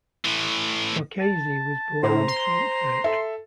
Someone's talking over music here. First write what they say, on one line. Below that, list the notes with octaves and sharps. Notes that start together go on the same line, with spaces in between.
Marchesi was born in Frankfurt.
A2 E3
A5
A2 C5 A#5
C6
A4 E5